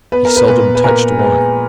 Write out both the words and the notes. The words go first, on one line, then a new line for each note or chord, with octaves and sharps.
He seldom touched wine.
B3 B4
A#4
B4
A#2 B4
B4
A#2 A#4
G#3 B4